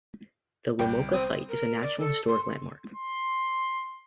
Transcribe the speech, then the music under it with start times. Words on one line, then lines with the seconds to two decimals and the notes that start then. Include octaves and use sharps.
The Lamoka Site is a National Historic Landmark.
0.79 C2 G5
1.14 C4 D#6
1.49 A#4
1.81 D5
1.99 A4
2.28 C6
2.96 C6